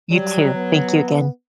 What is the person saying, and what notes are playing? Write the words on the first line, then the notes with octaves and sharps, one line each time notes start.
you too. Thank you, again.
F#3 G3
B3